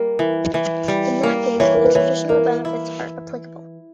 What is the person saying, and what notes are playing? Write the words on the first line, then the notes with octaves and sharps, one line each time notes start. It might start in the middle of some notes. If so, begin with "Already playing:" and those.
In that case, the traditional benefits are applicable.
Already playing: G3 A#3 A#4
E3
E3
G3
A#3
E3 C#5
A#4
B4
E3 C#5
A#3 A#4
E4